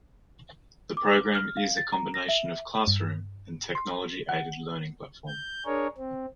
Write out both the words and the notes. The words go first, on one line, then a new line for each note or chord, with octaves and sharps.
The programme is a combination of classroom and technology aided learning platform.
D6
F6
F5
A6
A#5
A#6
E5
G2
C6
F#5
G6
D4 G#4 A#4 C#5
C4